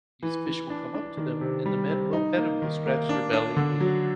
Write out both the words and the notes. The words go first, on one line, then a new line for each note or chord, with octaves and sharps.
these fish will come up to them and the men will pet them, they'll scratch their belly and
E3
E3
D4
D4
D#3
C3
G3
C3
D#4
A#3
D#3
A#3
D4
D4
D3
F#3